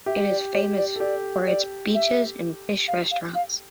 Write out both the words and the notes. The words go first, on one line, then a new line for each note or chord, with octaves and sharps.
It is famous for its beaches and fish restaurants.
G4 E5
D5
G4 C#5
D5
A4
G4 D5
D5
E5
F5
F5
F5